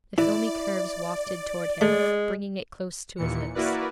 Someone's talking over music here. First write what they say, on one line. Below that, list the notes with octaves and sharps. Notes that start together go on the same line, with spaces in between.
The filmy curves wafted toward him, bringing it close to his lips.
E3 E4 D5
G#3 A3
D#2 A#2 E3 C#7
A#3 E4 F#4 A#4 B4 D5